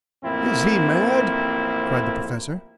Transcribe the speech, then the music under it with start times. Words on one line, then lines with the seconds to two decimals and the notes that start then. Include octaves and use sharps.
"Is he mad?" cried the Professor.
0.23 A1 F2 A#3 C4 E4